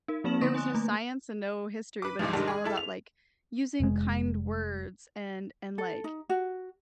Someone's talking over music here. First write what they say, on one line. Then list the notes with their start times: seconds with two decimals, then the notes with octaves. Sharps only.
there was no science and no history, but it was all about like using kind words and and like
0.08 D#4 A#4
0.24 F3 A#3 C4 A5 E7 F#7
0.41 D3 B3 C6 C#6 D#6 A#6
0.55 G#5 C6 D#6 F#6
0.75 A3 A#3
2.02 B4 D6
2.19 C#2 G#2 C3 E3 F3
2.33 F#1 G#2 D3 D#3 G3 A5
2.47 G#4
2.64 G#3 E4 A4
2.77 F7
3.80 F1 G#3
5.78 A4
6.04 D#4
6.29 F#4